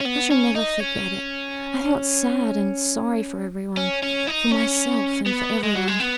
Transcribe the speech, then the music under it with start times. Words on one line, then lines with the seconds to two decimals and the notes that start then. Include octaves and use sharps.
I shall never forget it: I felt sad and sorry for everyone, for myself, and for everyone.
0.01 C#4
0.06 B3
0.31 C#4
0.56 D#4
0.80 C#4
3.77 C#4
4.03 C#4
4.27 D#4
4.51 C#4
5.26 B3
5.63 G#3
5.76 F#3
5.88 G#3
6.00 B3